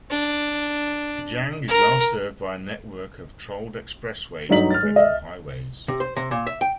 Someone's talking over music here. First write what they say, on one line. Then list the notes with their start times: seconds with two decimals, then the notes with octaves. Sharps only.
Kajang is well-served by a network of tolled expressways and federal highways.
0.11 D4
1.68 A#4
4.49 G2 F#3 A3 D#4 B6 F#7
4.71 F6 A6
4.83 G#3
4.96 D#5 E5
5.88 C3
6.00 C5
6.16 C3
6.31 A#2
6.47 E5
6.61 G5